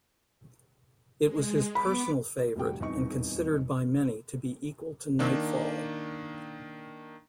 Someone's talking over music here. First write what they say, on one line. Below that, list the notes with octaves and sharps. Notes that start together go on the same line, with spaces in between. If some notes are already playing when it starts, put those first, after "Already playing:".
It was his personal favorite and considered by many to be equal to "Nightfall".
G#3
B3 B5 D6
F1 A#2 G3 F#4 G5
D#1 E2 C4 D#4 D#5 C#6
D#3 A#3 D4